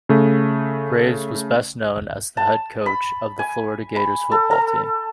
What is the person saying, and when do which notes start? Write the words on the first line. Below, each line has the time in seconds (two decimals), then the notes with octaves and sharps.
Graves was best known as the head coach of the Florida Gators football team.
0.09 C#3 A3
2.37 A5
2.86 B5
3.39 G#5
3.96 B5
4.32 A4
4.51 A4